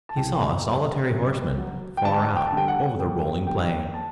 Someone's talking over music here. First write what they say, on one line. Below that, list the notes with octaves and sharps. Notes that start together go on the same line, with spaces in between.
He saw a solitary horseman far out over the rolling plain.
A5
C2 G5
B2 G3
F#2
F#3
G5
D2 A5
G5
A5
D3 G3 G5
F#5
G2 G5
D3 G3 G5
A5